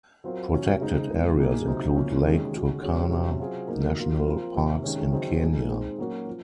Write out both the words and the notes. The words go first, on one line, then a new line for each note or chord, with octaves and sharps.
Protected areas include Lake Turkana National Parks in Kenya.
F#3 C4 F4 A#4
C3 F#3 C#4
C#3 G#3 C4 D#4
A#2 F3 G#3
A#2 F#3 A#3 D#4 G#4
C3 F#3 C4 D#4 F#4
F3 A#3 C#4 F#4
C3 D#3 G#3 C#4 F#4
G#3 C#4 F#4
C#3 G#3 C#4 F#4
C3 F#3 C#4
F#3 C4 F4 G#4
F#3 A#3 D#4 A#4
F#3 A#3 F4 A#4
F3 C4 F4 A#4
C3 D#3 A#3
C3 D#3 G#3 C#4
D#3 F#3 C4 D#4 G#4
A#2 G#3 D#4 G#4
G#3 C4 D#4
F#3 A#3 C#4 F#4 A#4
F3